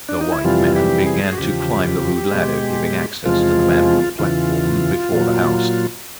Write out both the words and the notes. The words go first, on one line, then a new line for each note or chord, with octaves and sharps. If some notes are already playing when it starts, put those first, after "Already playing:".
The white man began to climb the rude ladder giving access to the bamboo platform before the house.
D4
D#4
E4
F2 C3 E3 G3 F4
G4
G#4
F#4
E2 C#3 F3 G4
B2 G#3
E2 C3 F3 G#3 F4
E2 C#3 E3 F4
A#2 F#3